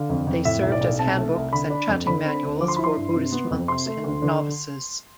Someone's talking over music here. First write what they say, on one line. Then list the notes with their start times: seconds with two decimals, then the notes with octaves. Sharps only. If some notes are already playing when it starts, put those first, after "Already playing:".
They served as handbooks and chanting manuals for Buddhist monks and novices.
Already playing: D3 F5
0.09 F2
0.27 F2
0.45 A2 E5
0.62 B1 E5
0.72 D5
0.81 B1
0.99 C3 A5
1.17 A3
1.35 C2
1.52 D3 B5
1.70 D4
1.88 F2
2.07 D3 B5
2.25 C4
2.43 D2
2.60 F3 D6
2.68 C6
2.76 E4 B5
2.84 C6
2.96 G2
3.14 C3
3.32 B3
3.50 F2
3.68 C3 C6
3.86 A3
4.04 D2
4.22 D3